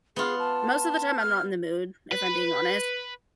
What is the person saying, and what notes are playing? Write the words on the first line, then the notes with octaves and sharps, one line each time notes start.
most of the time I'm not in the mood, if I'm being honest.
B3 F4 G#4
A5
F6
B4